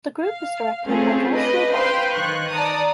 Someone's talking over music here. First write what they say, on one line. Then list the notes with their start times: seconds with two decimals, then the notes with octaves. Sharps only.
The group is directed by Joshua Bond.
0.21 F5
0.86 A3 C4 C#4 F4 G#4 A4
1.31 D4 B4 D#5
1.74 B4 C5 F5 G5 C6
2.13 D#3 C#6 F#6
2.50 D5 A5 A#5 D#6